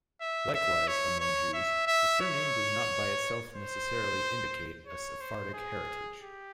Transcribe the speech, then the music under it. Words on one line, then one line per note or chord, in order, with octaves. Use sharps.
Likewise, among Jews, the surname does not by itself necessarily indicate a Sephardic heritage.
E5
E5
C#5
C#5
E5
E5
C#5
C5
C#5
C5
G#4
G4